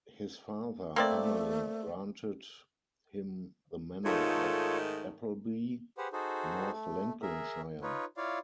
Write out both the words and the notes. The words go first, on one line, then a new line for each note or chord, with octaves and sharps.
His father Hamelin granted him the manor of Appleby, North Lincolnshire.
A3 A#3 C4 D5
G#2 D#3 A3 F4 A4 C#5
G4 G#4 B4 C5 F#5
D#4 F#4 G#4 A4 C5
A3
G#4 A#4 E5
D#4 F4 B4 C#5
E4 F4 C#5 D5 F5